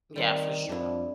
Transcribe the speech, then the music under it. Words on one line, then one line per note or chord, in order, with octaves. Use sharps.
yeah, for sure.
D#3 G3 C4
F2 D4 E4